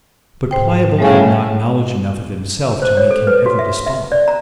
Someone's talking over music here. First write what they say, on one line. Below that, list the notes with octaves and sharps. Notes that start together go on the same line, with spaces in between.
But Pliable had not knowledge enough of himself to make him ever despond.
G#2 C5 G5
A2 C#3 G3 A3 A4
C5
C#5
A4
B4
F#4
E5
E5
D5
A#5